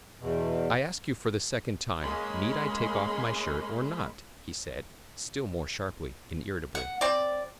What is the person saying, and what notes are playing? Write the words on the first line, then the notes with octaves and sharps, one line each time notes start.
"I ask you for the second time--need I take off my shirt or not?" he said, still more sharply and irritably.
E2 B2
G#3 A#3 C#4 B5 C6
F#5
C4 D5